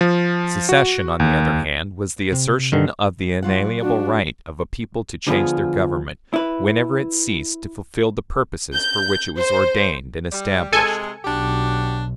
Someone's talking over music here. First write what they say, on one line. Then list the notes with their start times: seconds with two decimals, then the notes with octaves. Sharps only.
Secession, on the other hand, was the assertion of the inalienable right of a people to change their government, whenever it ceased to fulfill the purposes for which it was ordained and established.
0.01 F3
0.69 F#4
1.20 D#2
2.32 C3
2.72 G2 D3 D#3
3.43 F#3 F4 F#5
3.80 D4 F#4
5.27 D3 F3 B3 F4 G#4
6.34 E4 B4
8.73 G6
9.36 C5
10.31 G3
10.73 C3 G#3 A4 G#5 C#7
11.25 B1 D4 F#4 G4